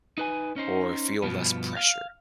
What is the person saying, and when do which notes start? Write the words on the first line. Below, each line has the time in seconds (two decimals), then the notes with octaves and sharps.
or feel less pressure?
0.18 D#4 B4 G#5
0.56 C#4 D#4 C5
1.22 G2 B2 F3 B3
1.77 F5